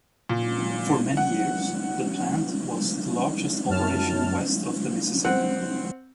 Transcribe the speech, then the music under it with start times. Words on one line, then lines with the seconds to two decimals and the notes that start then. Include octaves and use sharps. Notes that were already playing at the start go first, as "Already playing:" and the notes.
For many years, the plant was the largest operation west of the Mississippi.
0.29 A#2
1.17 F#5
3.69 F#2 A5 F6
5.25 C4 F#5